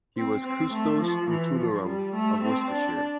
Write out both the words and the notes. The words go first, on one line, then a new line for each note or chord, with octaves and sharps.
He was "Custos Rotulorum" of Worcestershire.
C4
C4
A3
F3
E3
F3
G3
A3
C4
D4